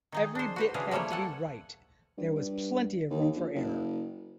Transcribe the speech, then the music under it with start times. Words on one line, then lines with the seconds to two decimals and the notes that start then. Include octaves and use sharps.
Every bit had to be right; there was plenty of room for error.
0.12 D#3 D#4 G#4
0.35 D4 C5
0.56 F#4 B4 C5
0.74 C#3 E3 D4 G#4 F5
0.91 F3 G3 A3 A#3 C#5
1.10 A4 F#5 G#5
2.18 G2
2.35 G2
3.10 D#2
3.36 A#1
3.55 F#1